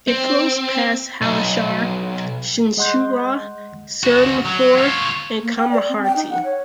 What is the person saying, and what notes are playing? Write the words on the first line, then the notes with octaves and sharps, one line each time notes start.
It flows past Halisahar, Chinsurah, Serampore, and Kamarhati.
C4
B1
G#3 D#5 F#5 C6 F#6 G6
C#2 F#4
F#3
F4 C#5
A#3
G5
D5
C4
G5
D#4
F#5
C#5